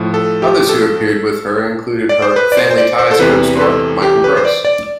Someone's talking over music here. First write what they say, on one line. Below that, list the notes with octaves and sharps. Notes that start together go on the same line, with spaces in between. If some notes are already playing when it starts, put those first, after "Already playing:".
Others who appeared with her included her "Family Ties" co-star Michael Gross.
Already playing: A2 F3
A4
G4
A4
D5
C5
B4
D5
C5
C5
D5
C5
A4
E2 C3 E3 B4
B4
A4
G4
B4
C5
D5
D5